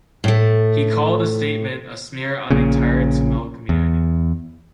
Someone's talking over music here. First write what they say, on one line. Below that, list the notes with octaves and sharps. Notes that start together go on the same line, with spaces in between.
He called the statement, a smear on the entire Tamil community.
A2 A3
A#1 A#2 C#3
E2